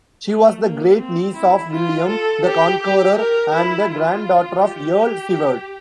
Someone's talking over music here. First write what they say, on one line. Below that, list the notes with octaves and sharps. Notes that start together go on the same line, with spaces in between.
She was the great-niece of William the Conqueror and the granddaughter of Earl Siward.
A3
A#3
C4
E4
F4
A4
G4
G4
A#4
E4
F4
G4